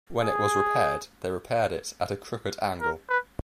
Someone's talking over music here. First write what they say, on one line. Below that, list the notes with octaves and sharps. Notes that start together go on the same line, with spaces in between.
When it was repaired, they repaired it at a crooked angle.
G#4
A#4
B4